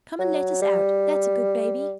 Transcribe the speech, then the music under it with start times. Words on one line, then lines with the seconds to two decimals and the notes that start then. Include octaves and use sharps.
Come and let us out, that's a good baby.
0.19 F#3
0.62 G3